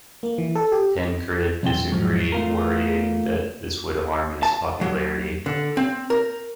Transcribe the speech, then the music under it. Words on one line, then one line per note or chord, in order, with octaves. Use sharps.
Tancred disagreed, worrying that this would harm his popularity.
A#3
E3
A4
G4
B1 E2 C4 G5
G#2 F3 F#3
A3 F4 A#4
A5
F#3
D3
C4
A#4